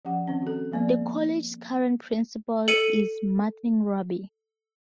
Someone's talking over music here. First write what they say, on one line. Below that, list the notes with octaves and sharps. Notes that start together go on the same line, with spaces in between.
The college's current principal is Martin Raby.
F3 C#4 G4 F#5
D#3 C4 C#4
F#4 A4
F3 G#3 A#3 B3 D5
A4 C#7 D#7